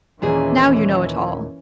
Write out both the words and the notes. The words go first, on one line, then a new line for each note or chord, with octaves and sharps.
Now you know it all.
D#2 A#2 E3 C#4 G#4